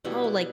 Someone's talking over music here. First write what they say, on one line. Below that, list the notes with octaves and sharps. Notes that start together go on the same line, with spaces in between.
oh, like
B2 G3 B3 E4
E4